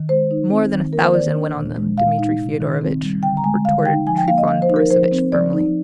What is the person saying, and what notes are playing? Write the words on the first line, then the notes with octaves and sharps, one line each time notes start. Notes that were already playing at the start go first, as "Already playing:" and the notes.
"More than a thousand went on them, Dmitri Fyodorovitch," retorted Trifon Borissovitch firmly.
Already playing: D#3
G#3 C5
D#4
C4
D#3
A#3 A#4
C5
D#3 D5
D4
A#2
G#3
A#2 F5
D#4
C3
D#3
C4
G3
D3 G5
A#5
G#3 G#5
D3 F5
D#4 G5
F3 G#5
G5
A#3 F5
D#5
F3 F5
C5
D#4
A#4
F3 C5
C4
F3 D5
D#4